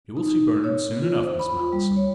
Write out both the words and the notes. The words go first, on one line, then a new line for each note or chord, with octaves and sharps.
"You will see Bernard soon enough, Miss Malleson."
D#4
C#5
F4
C5
B5
F4
G3
C#5